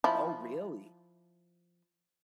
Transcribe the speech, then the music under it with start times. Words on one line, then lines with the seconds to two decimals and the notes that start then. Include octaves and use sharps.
Oh, really?
0.04 F3 E4